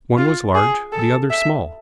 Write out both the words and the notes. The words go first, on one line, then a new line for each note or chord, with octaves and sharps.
One was large, the other small.
F4
G#4
A4
E5